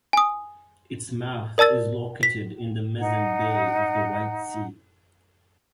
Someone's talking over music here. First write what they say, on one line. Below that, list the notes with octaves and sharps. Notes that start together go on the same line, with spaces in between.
Its mouth is located in the Mezen Bay of the White Sea.
G#5 D#6
A#4 D5 A5 E6 A6
B6
D#4 F#5